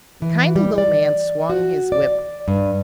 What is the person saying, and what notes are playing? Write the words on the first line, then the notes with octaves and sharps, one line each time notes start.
The kindly little man swung his whip.
E3
G3
D5
F#4
D5
G2